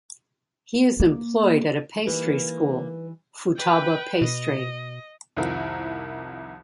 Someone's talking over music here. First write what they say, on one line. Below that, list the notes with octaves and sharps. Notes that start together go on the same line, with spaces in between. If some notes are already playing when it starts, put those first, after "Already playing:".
He is employed at a pastry school, Futaba Pastry.
A#3
E3 G3 A#3 D#4 B4
B4 G5
B2 D#5
C2 F2 D#3 F3 E4 A#4